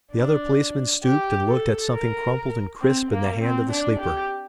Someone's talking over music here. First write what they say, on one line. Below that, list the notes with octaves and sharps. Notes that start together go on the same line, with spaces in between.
The other policeman stooped and looked at something crumpled and crisp in the hand of the sleeper.
D4
G4
A4
A#4
C4
A#3
C4
D4
G4